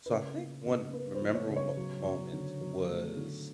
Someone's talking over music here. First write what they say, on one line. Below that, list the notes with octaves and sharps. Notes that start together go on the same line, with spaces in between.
so I think one memorable mo moment was
B4
C#3 A#4
A#3
C#3
A#3 B4
C5
F3
C#5
C#3
C#5
F#3
F#3
D3
F#3
A3
D3